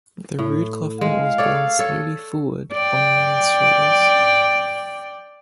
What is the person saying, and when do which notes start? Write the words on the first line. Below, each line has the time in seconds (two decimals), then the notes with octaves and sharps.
The rude coffin was borne slowly forward on men’s shoulders.
0.39 A2
1.01 G#3 F5
1.38 A4 C#5 D5
1.79 A4 C#5
2.73 D5 G5